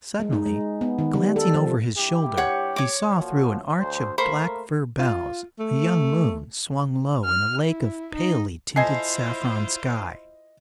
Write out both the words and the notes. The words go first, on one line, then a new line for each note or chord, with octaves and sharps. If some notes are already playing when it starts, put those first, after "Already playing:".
Suddenly, glancing over his shoulder, he saw through an arch of black fir boughs a young moon swung low in a lake of palely tinted saffron sky.
G#3
D#4
G#3
B3
D#3
G3
A4
F3
G2 E4 G4
C#5 F#5
C#5 D6
A#2 F3 F#4
D2 C5
A3 A#3 A#4 C5 B5 C#6
F4
A3
F6
E4
D#4
E4 F4 A4 C5 D#5 G#5 C7